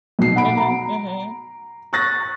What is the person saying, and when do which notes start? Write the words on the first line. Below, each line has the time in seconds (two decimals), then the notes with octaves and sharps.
Mhm, mhm.
0.19 B1 B2 C7
0.36 F#5 B5 D7
0.57 A#5
1.93 C#6 F#6 A6 A#6